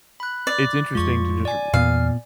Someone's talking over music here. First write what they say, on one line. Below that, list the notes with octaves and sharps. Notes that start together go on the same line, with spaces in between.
it's interesting to just r r
B5 F#6
D5
F2 G#3 F4 C#6
D5 G#5
E2 A#2 B3 F5